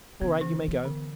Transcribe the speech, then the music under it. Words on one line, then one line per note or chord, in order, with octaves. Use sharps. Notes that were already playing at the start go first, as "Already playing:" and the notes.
'All right, you may go!'
C#3 B3
E3
B3
D3